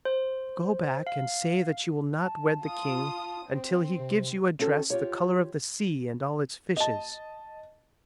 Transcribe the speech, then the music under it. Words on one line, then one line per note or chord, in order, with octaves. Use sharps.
"Go back and say that you will not wed the king until he gives you a dress the colour of the sea and all its fishes."
C5
F5
A5
F4 D#6
C4
C3
C4 C#4 F#4 A4
F4 G4 C#5
D#5 A5